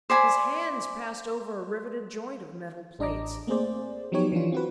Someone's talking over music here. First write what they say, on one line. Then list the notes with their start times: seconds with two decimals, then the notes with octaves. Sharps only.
His hands passed over a riveted joint of metal plates.
0.10 C5 D5 G#5 B5
2.99 A1 D4 D#5 A#5 D6
3.47 A3 A#3 C4 G#4 C5 D5
4.12 F3 F#3 B3 D#4 G4 C#5
4.32 E3 F3 D4 F4
4.52 C4 F#4 B4